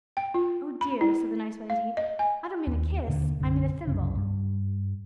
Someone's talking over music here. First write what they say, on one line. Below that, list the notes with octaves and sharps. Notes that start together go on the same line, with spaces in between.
"Oh dear," said the nice Wendy, "I don't mean a kiss, I mean a thimble."
G5
F4
B5
E4
F5
D#5
G#5
D#2
D#2 B2 D3 A#3
B1 F#2 D3
C2 F#2 C#3
G2